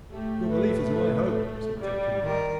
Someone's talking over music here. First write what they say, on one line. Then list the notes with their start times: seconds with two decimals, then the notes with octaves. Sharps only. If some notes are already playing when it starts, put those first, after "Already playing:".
"Your belief is my hope," said Captain Blood.
0.12 A2 A3 G4
0.49 B4
1.81 G3 D5
2.21 D#3 A#4